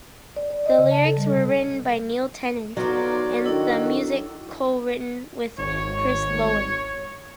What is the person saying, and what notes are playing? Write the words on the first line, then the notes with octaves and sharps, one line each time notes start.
The lyrics were written by Neil Tennant and the music co-written with Chris Lowe.
D5
D5
D#5
C#3
A5
A4
G3
C3
F#3 B3 D#4 F4 A4 D5 A#5
D#3 D4 E4 F#4 A4
G#1 C#5